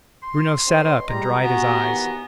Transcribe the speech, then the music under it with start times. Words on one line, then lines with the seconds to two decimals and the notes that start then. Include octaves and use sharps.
Bruno sat up and dried his eyes.
0.23 C6
0.67 D2 D3 C4 B4 C#5 D#5
1.09 A#2 G3 G#3 A#5
1.43 B3 F#4 G4 G#5
1.80 D#2 E3 F#4